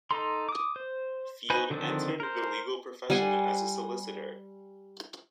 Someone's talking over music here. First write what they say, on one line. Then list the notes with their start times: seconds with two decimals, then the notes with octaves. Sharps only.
Field entered the legal profession as a solicitor.
0.11 D#4 A4 A#5 C6
0.49 D6 D#6
0.76 C5
1.50 D#4 B4 C5 G#5 B5
1.70 D3 D#3 F3 C4 D4
2.20 A#4 C5
3.10 G3 F#5 G#5 C6